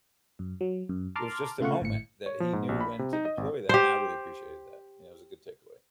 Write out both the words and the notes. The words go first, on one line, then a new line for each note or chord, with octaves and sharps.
it was just a moment that he knew when to deploy that, and I really appreciated that, it was a good takeaway.
F#2
F#3
F#2
A5 A#5 C6 D6 F6
C#3 A3 F4 F5 F#5 C#6
G#1 A2 C#7
C#5
F3
G#2
A#1
B5
C3
D#4
D#5
G#1
G4 C5